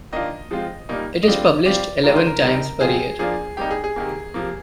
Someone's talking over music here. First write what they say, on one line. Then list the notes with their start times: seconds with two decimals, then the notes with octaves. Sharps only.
It is published eleven times per year.
0.12 D#3 A#3 D4 F4 D#5
0.51 F3 G#3 C4 F4
0.89 A#2 G3 A#3 D#4
1.23 D#5
1.28 D3 G3 C4 F4 D5
1.66 G3 C4 F4 D5
2.04 D#3 G#3 D4 F4 A#4
2.16 C5
2.27 A#4
2.42 C3 G3 C4 D#4 A#4
2.81 C3 F3 C4 F4 G#4
3.19 F3 A#3 D4 F4 G#4
3.57 C3 G3 A#3 D#4 G4
3.71 G#4
3.84 G#4
3.96 C3 D#3 A#3
4.34 C3 F3 A#3